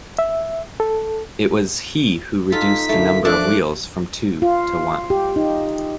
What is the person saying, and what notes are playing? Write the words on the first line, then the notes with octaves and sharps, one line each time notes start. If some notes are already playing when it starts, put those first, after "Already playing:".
It was he who reduced the number of wheels from two to one.
E5
A4
D#4 F4 A4 B6
D3 A3 A#3 E4
F3 A3 D4 D6 F#6
F4
G4
D#4